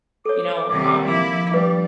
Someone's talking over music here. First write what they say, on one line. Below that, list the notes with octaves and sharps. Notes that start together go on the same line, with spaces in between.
you know, um,
A4 C#5 D6
D#1 C3 G3 C4
F3 E4 E5 D6 A#6
G3 D4 B4